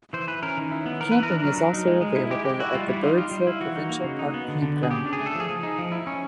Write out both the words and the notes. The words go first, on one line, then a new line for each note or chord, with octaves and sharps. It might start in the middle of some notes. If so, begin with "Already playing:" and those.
Camping is also available at the Birds Hill Provincial Park Campground.
E3 C5
E3 B4
C#4 A#4
D#3
E4
B3
E3 A#4
E3 B4
A#4
D4
F#3
F#3
D#4
G#3
G#3
E4
G#3 G4
G#3 G4
E4 F#4
G3 F4
G3 E4
D#4 F4
G3 F4
G3
E4
E3 F#4
D#4
A#3
C#3
D#4
B3
D3
D3
B3
G#4
C#3 G4
D4
G#4
A3
A4
F3 G#4
F3
D#4
F3
E4
C#4